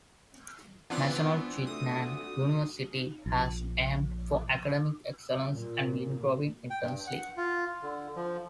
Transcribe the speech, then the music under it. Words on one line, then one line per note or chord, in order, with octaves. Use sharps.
National Chi Nan University has aimed for academic excellence and been growing intensely.
E3 B3 C4 D4 F4
A3 F#4 D#6
A#1
A#2
G5
G2
F#5
F4
D3
F3